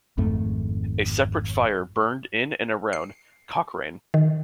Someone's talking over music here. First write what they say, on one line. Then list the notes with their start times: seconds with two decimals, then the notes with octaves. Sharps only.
A separate fire burned in and around Cochrane.
0.18 G#1 F2 G#2 A3
2.93 C7
4.14 D#3